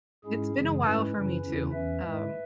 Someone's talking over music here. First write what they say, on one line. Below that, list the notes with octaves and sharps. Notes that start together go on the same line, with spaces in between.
it's been a while for me too, um,
G#2 G#3 C#4 E4 G#4
F#2 C#3 E3 G#3
G#2 G#3 C#4 E4 B4
F#2 C#3 E3 C#4 E4
E2 C#3 E3 C#4 E4
E2 E3 C#4 B4 E5
G#2 G#3 E4